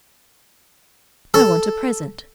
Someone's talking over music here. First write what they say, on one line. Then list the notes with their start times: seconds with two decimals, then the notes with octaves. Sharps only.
I want a present.'
1.34 A4